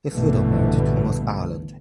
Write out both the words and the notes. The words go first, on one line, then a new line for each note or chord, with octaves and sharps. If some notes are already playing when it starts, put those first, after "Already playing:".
His widow married Thomas Ireland.
A#1 G2 B2 D3 E3 A3